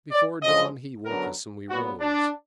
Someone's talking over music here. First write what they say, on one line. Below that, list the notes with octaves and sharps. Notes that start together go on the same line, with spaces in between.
Before dawn he woke us, and we rose.
D5
F#2 D3 F3 G#3 D#5
F#2 D3 F#3 B3 A#4
A#2 F#3 B3 F#4
D4